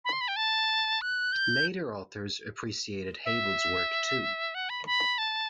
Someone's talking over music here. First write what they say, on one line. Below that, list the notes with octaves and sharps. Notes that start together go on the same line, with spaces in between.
Later authors appreciated Hebel's work too.
B5
C6
B5
G5
A5
F#6
G6
E5
F#5
B5
B5
A5